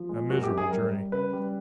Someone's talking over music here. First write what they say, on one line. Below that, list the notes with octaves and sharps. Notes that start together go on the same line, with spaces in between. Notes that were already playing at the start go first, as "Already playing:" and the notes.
A miserable journey.
Already playing: F3
G#3
F#2 F#4
G4
F#2
G#4
G3 A#4
G3
C#3 B4
G3